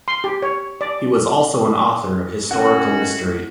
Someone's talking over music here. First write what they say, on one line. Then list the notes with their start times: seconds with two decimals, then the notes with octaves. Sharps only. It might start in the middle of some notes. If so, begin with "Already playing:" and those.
He was also an author of historical mystery.
0.08 C6
0.24 G4
0.42 C#5
0.81 D5
2.51 A2 D#3 C#4 F#4 F#5